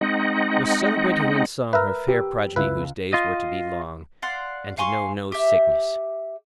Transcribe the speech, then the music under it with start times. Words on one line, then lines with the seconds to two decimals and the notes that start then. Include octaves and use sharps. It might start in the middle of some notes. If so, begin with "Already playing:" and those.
'Was celebrating in song her fair progeny whose days were to be long, and to know no sickness.
0.01 G#3 C4 D#4 D#5 F#5
1.73 A#4 B4 E5 E6
2.08 G4
2.56 C#2 E4 B4
3.13 F4 D#5
4.22 D5 F5 F#5 C6
4.78 F5 G#5 C6 C#6
5.32 G4 E5